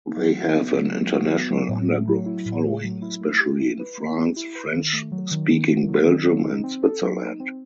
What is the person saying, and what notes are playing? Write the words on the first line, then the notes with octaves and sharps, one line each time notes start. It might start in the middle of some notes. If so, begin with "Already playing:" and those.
They have an international underground following, especially in France, French-speaking Belgium and Switzerland.
F#3
F#4
B3
F#3
F#3
F#4
B3
F#3
A2
A3
F#3
E4
A2
A3
F#3
E4
A3
G4
E4
B4
A3
G4
E4
B4
D#3
A3
F#3
D#3
D#3
A3
F#3
D#3
F#3
D#4
C4
A4
F#3
D#4
C4